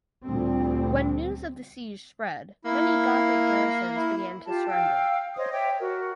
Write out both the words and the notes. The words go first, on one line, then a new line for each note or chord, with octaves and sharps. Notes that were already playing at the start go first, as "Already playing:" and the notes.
When news of the siege spread many Gothic garrisons began to surrender.
D2 A#2 G3 C4
A#3 E4
E4
F4 G4 A5
F5 G5 E6
C5 C#5 D#5 D#6
C#5 E5 G5 D6
F#4 A#4